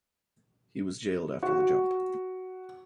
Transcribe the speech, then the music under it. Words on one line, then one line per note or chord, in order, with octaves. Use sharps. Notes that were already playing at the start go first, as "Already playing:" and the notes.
He was jailed after the jump.
F#4